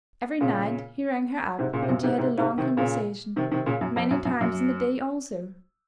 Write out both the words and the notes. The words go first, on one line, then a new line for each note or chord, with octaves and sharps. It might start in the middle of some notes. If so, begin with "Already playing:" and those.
Every night he rang her up and they had a long conversation; many times in the day also.
A#2 C#3
G#2 C3
A#2 C#3
C3
F#2 A#2
G#2 C3
G#2 C3
G#2 C3
C3 D#3
A#2 C#3
C3 D#3
C3 D#3
A#2 C#3
F#2
F2
F#2
F#2
F#2